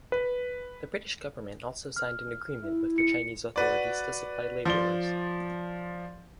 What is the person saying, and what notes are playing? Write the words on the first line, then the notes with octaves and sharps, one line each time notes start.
The British government also signed an agreement with the Chinese authorities to supply labourers.
B4
F6
E4
C#7
F#4 B4 D5
F3 D5 G7